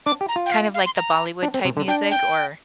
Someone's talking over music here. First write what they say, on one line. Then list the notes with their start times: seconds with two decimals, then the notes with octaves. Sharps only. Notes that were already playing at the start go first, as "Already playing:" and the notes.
Kind of like the Bollywood type music or
0.06 D4 D6
0.21 G4
0.29 A#5
0.36 F4
0.46 G5
0.51 F5
0.74 F5
0.86 C6
0.96 A#5
1.43 D4
1.54 C4
1.65 C3
1.77 D3
1.88 D4 G5
2.11 G5